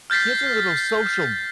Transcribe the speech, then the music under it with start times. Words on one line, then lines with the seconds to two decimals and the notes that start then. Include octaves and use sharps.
kids are little social
0.10 F6 G6 A6 B6 C7